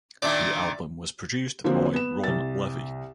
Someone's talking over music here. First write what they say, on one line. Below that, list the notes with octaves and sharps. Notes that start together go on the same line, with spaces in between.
The album was produced by Ron Levy.
A#2 D#3 D4 D5 E5
D3 F3 F#3 A#3 C4
B3 E7
C2 A6